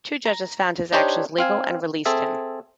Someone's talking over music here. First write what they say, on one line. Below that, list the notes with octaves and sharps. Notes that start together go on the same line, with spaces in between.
Two judges found his actions legal and released him.
A#5
D4 D#4 G4 C5 C#5
C4 F5 G#5
C4 G#4 A4 E5